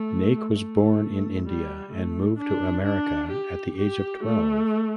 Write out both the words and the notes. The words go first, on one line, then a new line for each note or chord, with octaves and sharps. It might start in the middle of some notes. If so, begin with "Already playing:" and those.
Naik was born in India and moved to America at the age of twelve.
Already playing: A3
A3
G3
A3
D4
D4
G4
G4
A3